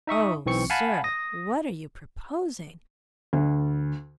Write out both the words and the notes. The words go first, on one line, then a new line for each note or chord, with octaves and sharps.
"Oh, sir, what are you proposing?"
D#4 E5 C#6 D#6
B1 E3 C4 C#6 C#7
F5 F#5 G#5 A5 B5
D#6 A#6
D2